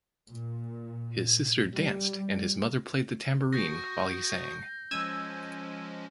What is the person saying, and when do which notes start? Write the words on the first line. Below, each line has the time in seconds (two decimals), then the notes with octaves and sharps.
His sister danced and his mother played the tambourine while he sang.
0.30 A#2
1.74 G3
3.53 F#4 C#6 D#6 G6 A#6
4.91 F3 G#3 C#4 E6 G#6 D#7